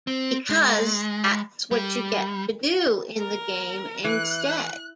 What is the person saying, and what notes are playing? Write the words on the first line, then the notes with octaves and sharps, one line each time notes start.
Because that's what you get to do in the game instead.
C4
G#3
G3
A#4
E3 F#6